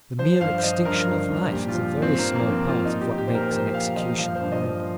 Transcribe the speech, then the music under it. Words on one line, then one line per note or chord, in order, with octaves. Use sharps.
The mere extinction of life is a very small part of what makes an execution horrible.
F3 C5
G2 F5
C5
F3 D#5
G2 A#4
G2
G2
A#2 G4
F4
F3
A#2
C4
F3 A#3
A#3
F3
C4
A#2
F4
A#2 D#4
G4
A#2
G4
A#2 C5
A#4
F3 C5
A#2 F5
F3 D#5
F3 F5
C5
G2
D#5
F3